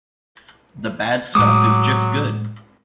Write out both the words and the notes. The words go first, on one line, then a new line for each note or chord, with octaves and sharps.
The bad stuff is just good.
A2 F#3 G#3 D6 D#6